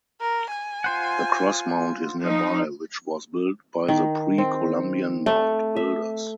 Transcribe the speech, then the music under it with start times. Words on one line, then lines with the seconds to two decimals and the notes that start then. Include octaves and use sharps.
The Cross Mound is nearby, which was built by the pre-Columbian Mound Builders.
0.21 A#4
0.50 G#5
0.84 F4 C5 F#5
2.21 F3 D#4
3.88 D#3
4.38 C4
5.26 A3
5.76 E5